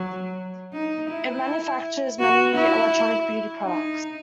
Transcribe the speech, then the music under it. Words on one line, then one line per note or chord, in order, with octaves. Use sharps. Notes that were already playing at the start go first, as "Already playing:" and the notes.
It manufactures many electronic beauty products.
Already playing: F#3
D#4
E4
F#4
E4
D#4